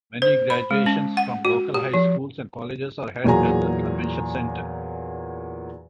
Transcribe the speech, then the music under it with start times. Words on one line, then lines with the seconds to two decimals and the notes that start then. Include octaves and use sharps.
Many graduations from local high schools and colleges are held at the convention center.
0.22 C5
0.50 B5
0.71 G#3
0.86 C#4
1.17 F#5
1.45 F#4
1.74 G4
1.94 F3
3.24 E2 A#2 F#3 G#4 G#5 A#5